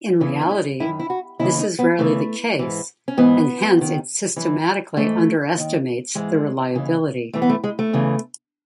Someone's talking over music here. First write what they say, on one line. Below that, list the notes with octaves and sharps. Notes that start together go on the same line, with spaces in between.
In reality this is rarely the case, and hence it systematically underestimates the reliability.
E2 C#3 E3 C#4
D#4
E4
F#2 D#3 E4
E4
F#4
D#2 C#3 E3 E4
D#4
B3
E2 C#3 E3 A3
G#2 E3
C#4
G#2 E3 B3
D#2 D#3
F#2 E3
G#2 E3 A3
D#2 D#3
G#2 E3 G#3
D#2 C#3 E3
F#2 E3 A3
B3
A3
G#3
A3
E2 C#3 E3